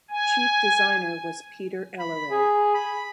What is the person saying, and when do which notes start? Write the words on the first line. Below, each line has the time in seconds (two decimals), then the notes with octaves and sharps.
Chief designer was Peter Elleray.
0.10 G#5
1.99 B5
2.31 G#4
2.74 B5